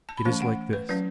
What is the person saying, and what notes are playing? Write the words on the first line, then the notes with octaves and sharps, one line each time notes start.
It is like this.
A5
B5
E3 A3 C#4 A5
F#5
B4
F#3 C#4 B4